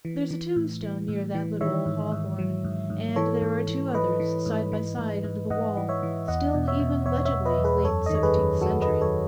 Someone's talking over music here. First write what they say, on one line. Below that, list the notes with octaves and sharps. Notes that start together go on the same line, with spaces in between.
There's a tombstone near that little old hawthorn, and there are two others side by side under the wall, still even legibly late seventeenth century.
E3
E3
A2
E3
A2
E3
D#3 C#5 E5
G#2
G#2
F#3
G#2
G#2
E3 A4 C#5
G#2
E3
E3 B4 D#5
E3
G#2
E3
G#2
G#2
G#2 D#5 F#5
E3
C#5 E5
E3
E2 D#5 F#5
B2
C#5 E5
B2
E2 C#5 E5
C#5 E5
E2
B4 D#5
E2
G#4 B4
F#2 A4 C#5
D#3 D#5
C#5
G#4 B4
F#2
F#3 F#4 A4
B4 D#5
D#3
A4 C#5